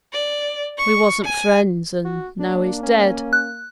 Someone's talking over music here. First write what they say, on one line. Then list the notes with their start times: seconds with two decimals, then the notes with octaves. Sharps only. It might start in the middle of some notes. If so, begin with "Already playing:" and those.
We wasn't friends; and now he's dead.'
0.12 D5
0.78 C#6
1.24 G#5
2.05 F#4
2.40 A#3 D4
2.83 C#4
3.33 F#6